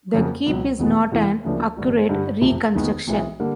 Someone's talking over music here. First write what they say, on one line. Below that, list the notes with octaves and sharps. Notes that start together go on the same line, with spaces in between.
The keep is not an accurate reconstruction.
F2 C#3 F#3 A#3
C#2 B2 F#3
F1 E2 B2 G#3 B3
E2 C3 E3 A3
D2 C#3 F3 A#3 D4
A1 G2 D3
G2 D3 G3
F#1 F2 C3 F3 A3
F1 D#2 D#3 G#3 B3
B1 A2 E3 G#3
D3 G3 A#3